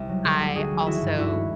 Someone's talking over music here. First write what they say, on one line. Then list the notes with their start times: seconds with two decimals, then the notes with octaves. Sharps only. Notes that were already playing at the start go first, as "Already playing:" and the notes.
I also
Already playing: C2
0.09 F#3
0.24 D3 G4 A4
0.40 D2
0.56 D2 F#4 G#4
0.71 F3
0.86 D#3 E4 F#4
1.02 G2
1.18 G2 E4 F#4
1.34 G#3